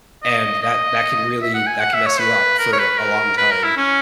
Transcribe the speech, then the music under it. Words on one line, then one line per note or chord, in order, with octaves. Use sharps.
And that that can really that can mess you up for a long time,
D#5
D#5
E5
F#5
G#5
F#5
E5
C#5
B4
A#4
C#5
B4
A#4
B4
A#4
E4
C#4